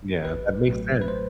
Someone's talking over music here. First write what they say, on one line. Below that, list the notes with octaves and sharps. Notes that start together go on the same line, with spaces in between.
Yeah. That makes sense.
A1 B4
A2 F#3 A3
B4
C5